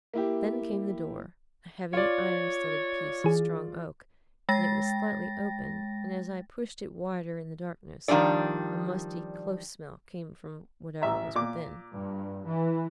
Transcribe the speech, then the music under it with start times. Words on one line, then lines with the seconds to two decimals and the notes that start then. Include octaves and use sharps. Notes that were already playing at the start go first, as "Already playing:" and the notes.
Then came the door--a heavy, iron-studded piece of strong oak, and it was slightly open, and as I pushed it wider in the darkness, a musty, close smell came from whatever was within.
0.14 A#3 E4 G4
1.93 F4 C#5 D5
3.24 E3 G#4
4.49 G#3 G5 A6 A#6
8.08 D#3 F3 G3 D4 D5
11.02 A1 E5 A#5
11.35 A#2 D6
11.95 G2
12.46 E3